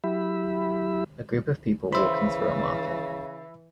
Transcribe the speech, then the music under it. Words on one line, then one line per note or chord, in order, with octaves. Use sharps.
A group of people walking through a market.
F#3 E4 G4 E5 B5
C#3 E3 C5 E5 B5